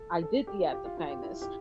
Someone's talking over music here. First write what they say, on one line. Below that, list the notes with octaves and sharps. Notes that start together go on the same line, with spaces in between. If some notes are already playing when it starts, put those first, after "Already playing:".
I did the act of kindness.
Already playing: A4
A4
A4
G4
F4
G4
F4
F4
G4
E4
G4